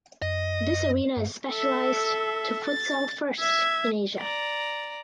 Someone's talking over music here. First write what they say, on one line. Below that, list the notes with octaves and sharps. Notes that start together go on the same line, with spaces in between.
This arena is specialized to futsal first in Asia.
F#2 D#5
G2
A4 E5
A6
E5 G#6
D5 A#5